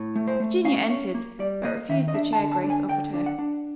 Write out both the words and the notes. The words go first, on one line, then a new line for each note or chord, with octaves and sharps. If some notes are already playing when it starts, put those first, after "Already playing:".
Virginia entered, but refused the chair Grace offered her.
Already playing: A2
A3
C5
A3
C#4 F5
C#4
A#3
G3 D5
A#3 D#5
D#3 E5
D#5
D4 E5
A5
D3
A5
D4
G#5
D3 G5
D4
F#5
D4